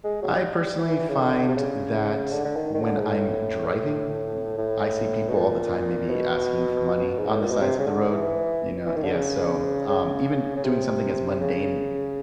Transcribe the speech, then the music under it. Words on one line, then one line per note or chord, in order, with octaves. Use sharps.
I personally find that when I'm driving, m I see people all the time maybe asking for money on the sides of the road, you know? Yeah, so, um, even doing something as mundane
G#3
F#3
G3
G3
E3
C#3
D3
C3
C#3
D3
D3
D#3
D#3
D3
G#2
A2
A2
B2
A#2
B2
G#2
A2
A#2
B2
C3
C#3
D3
E3
E3
D#3
D3
C#3
C#3
C#3
C3
C#3